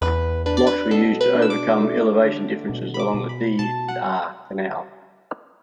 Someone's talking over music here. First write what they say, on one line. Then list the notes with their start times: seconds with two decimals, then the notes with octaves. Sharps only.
Locks were used to overcome elevation differences along the D and R canal.
0.01 E2 B4
0.46 D4 B4
0.57 D5
0.67 B4
0.91 B2 A4
1.21 B4
1.35 D4
1.42 E6
1.50 D6
1.80 A3
2.25 D3
2.69 B2
2.94 B5
3.00 D6
3.14 B2
3.29 B5
3.59 B2 A5
3.88 F#5